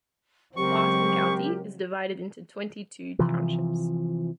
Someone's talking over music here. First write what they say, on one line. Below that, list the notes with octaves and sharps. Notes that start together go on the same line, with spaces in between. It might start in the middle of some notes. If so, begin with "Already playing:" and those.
Barton County is divided into twenty-two townships.
C#3 F#3 G#3 C4 G4 A#4 C#6
C3 E3 F3